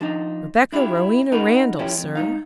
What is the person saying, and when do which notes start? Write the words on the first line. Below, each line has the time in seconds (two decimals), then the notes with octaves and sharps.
"Rebecca Rowena Randall, sir."
0.01 F3 D4 D#4
0.72 D4 E4 F4 G4
1.32 C#4 D#4 F#4 A#4 B4
1.79 F3 C#4 E4 G4
1.98 F2
2.15 G#2 D#4 F5